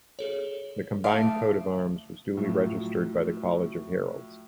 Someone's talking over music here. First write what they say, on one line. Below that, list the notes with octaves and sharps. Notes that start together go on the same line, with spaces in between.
The combined coat of arms was duly registered by the College of Heralds.
G#4 A4 C#5
F3 A3 F5 D6 D#6 D7
A2 F3 F#3